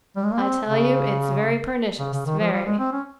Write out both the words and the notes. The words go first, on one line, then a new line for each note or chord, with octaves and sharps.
I tell you it's very pernicious--very!
G3
G#3
A#3
C4
C#3
C#3
C#3
D#3
F3
G3
G#3
C4
C#4